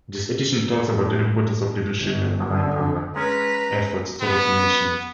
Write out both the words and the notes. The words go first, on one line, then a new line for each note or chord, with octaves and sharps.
This edition talks about the importance of leadership and aligned aligned efforts towards nation.
A2
G1
D3
G#3 C#4 B4 G#5 A#5
B3